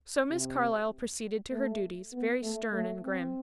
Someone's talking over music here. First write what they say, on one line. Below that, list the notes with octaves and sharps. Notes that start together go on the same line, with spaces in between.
So Miss Carlyle proceeded to her duties, very stern and grim.
C3
A3
B3
A3
A3
C4